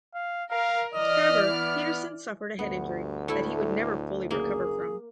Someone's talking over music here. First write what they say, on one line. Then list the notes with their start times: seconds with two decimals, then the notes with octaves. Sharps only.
However, Pettersson suffered a head injury that he would never fully recover from.
0.15 F5
0.50 A#4 F5
0.94 E3 D5 D#5 F6
1.50 B3
2.59 D2 G2 B3
3.28 A2 A3 E4
4.31 F#1 A#3 G#4